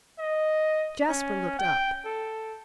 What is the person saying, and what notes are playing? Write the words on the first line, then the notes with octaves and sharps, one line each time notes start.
Jasper looked up.
D#5
C#4
G5
A4